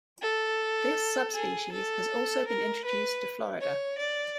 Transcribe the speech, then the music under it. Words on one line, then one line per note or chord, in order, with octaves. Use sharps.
This subspecies has also been introduced to Florida.
A4
G#4
A4
A#4
B4
C#5
D5